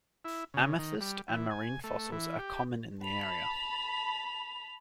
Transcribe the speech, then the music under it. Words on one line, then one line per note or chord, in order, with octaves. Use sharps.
Amethyst and marine fossils are common in the area.
E4
C#3
D#3
G3
E3
G#5
A3
E3
G4
A5 B5 F7